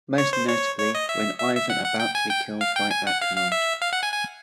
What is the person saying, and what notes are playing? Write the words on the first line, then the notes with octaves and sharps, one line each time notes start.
Most notably, when Ivan about to be killed by Achmode.
C#5
C5
C#5
C#5
D#5
E5
E5
E5
F#5
F#5
G5
G#5
G5
F5
G5
G#5
F#5
F5
F5
E5
F5
F#5
G#5
G#5